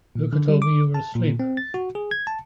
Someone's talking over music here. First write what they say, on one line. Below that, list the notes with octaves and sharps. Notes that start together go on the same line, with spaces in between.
Louka told me you were asleep.
A#2
D3
G3
D6
A5
A#2
C4
A6
F#4
G#4
G#6
A5